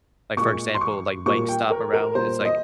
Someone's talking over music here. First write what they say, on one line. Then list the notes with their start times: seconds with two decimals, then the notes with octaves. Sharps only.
like for example, like Wingstop, around w it's like
0.37 A#2 G#3 C#6
0.75 C6
0.81 C#6
1.26 A#2 G3 A#3 C#6
1.48 G5
1.70 A#4
1.93 A#4
2.15 A#2 G3 A#3 C5
2.45 D#5